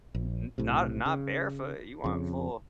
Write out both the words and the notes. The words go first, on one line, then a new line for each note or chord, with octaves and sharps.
N n not not barefoot, you want full
A#1
B1 A2 C3
C#3
F2 C#3